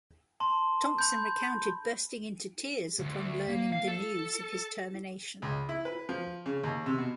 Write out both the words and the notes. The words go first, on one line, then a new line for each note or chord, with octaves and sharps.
Thompson recounted bursting into tears upon learning the news of his termination.
A5 C6
B5 G6
D2
A#3
F5
A4
C#2
E4
B4
F3
C#3
D#2
C3
B2